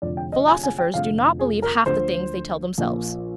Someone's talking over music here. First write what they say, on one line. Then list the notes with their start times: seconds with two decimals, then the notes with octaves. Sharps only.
Philosophers do not believe half the things they tell themselves.
0.02 F1 F2 D3 F3 D5
0.17 G5
0.32 D#5
0.48 G#5
0.63 G#5
0.78 G5
0.94 F1 F2 D3 F3 F5
1.39 G#4
1.62 A#4
1.85 D2 D3 F3 C5
2.78 A#1 A#2 F3